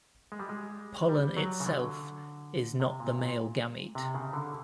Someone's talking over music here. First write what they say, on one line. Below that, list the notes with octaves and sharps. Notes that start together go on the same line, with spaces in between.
Pollen itself is not the male gamete.
G#3
G3
G#3
G3
F#3
C#3
D3
C3
A#2
A#2
C3
C#3
D3